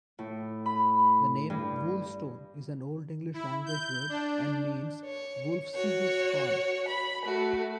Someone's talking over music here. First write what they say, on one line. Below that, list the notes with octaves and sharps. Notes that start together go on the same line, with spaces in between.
The name 'Woolstone' is an Old English language word, and means 'Wulfsige's farm'.
A2
B5
G2
E4
G6
D4
C#5
F#4 C#5
B5
A3 F#4